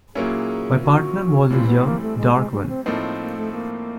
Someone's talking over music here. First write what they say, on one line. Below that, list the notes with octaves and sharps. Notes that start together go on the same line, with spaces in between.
My partner was the young dark one.
A#2 F#3 A#3 C#4 E4 G#4
F#4
A2 E3 G3 C4 F4
B3
A#3
A3
G#3
G#3
G3
C#4
C4
A2 F3 A3 A#3 C4 D#4
A#3
A#3
A3
A#3